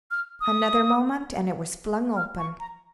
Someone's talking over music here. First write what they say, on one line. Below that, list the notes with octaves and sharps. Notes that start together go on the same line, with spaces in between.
Another moment, and it was flung open.
F6
D#6
F6
C#6
A#5